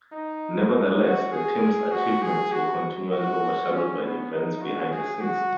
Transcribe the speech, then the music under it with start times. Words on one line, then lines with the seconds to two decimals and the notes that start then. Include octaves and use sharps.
Nevertheless, the team's achievements were continually overshadowed by events behind the scenes.
0.12 D#4
0.72 D#4
1.02 F#4
1.32 G#4
1.91 F#4
2.22 G#4
2.52 F#4
3.12 F#4
3.72 C#4
4.02 B3
4.31 D#4
4.61 F#4
4.91 G#4
5.21 F#4